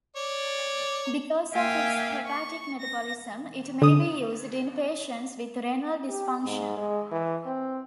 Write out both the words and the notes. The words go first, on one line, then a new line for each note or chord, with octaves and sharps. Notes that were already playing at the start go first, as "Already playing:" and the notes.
Because of its hepatic metabolism, it may be used in patients with renal dysfunction.
C#5 D5
A#3 E5 F5 G5 G#5
C#6
A#6
D3 D#6
G4
G#2
G#3
E3
C4